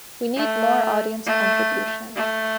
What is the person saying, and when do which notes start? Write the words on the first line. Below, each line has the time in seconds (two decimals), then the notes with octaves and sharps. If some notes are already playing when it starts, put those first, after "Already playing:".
We need more audience contribution.
0.36 A3
1.26 A3
2.16 A3